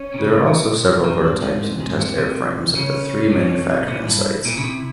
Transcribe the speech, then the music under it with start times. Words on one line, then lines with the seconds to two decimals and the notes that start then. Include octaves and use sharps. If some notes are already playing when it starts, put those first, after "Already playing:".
There are also several prototypes and test airframes at the three manufacturing sites.
Already playing: C#4
0.14 C3
0.18 C#3
0.47 C3 C4
1.04 A#2
1.23 G2
1.42 G#2
1.61 G#2 C4
1.80 G#2
1.99 A#2
2.18 C3
2.75 C#3 C#4
3.32 C3
3.88 A#2 E4
4.07 G2
4.45 A#2
4.57 C#3
4.64 C3